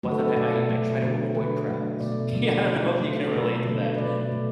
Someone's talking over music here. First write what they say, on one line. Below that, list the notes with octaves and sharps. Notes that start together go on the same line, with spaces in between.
but then I I I try to avoid crowds. Yeah, I don't know if you can relate to that.
D3 F#3 A3 F#4
A4
B4
A4
B2 A3 D5
B2 F#3 A3
D3 F#3 A3
D3 F#3 A3 B4
D3 F#3 A3
B2 A3 D5
D3 F#3 A3
D3 F#3 A3
D3 F#3 A3
F#4
A4
B2 F#3 A3 B4
D3 F#3 A3
B4
B2 F#3 A3 D5
B2 A3